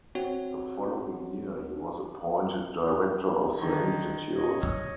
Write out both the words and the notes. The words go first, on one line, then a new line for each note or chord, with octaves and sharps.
The following year, he was appointed Director of the Institute.
C4 F#4 C#5
D3 D#3
C#5 D#5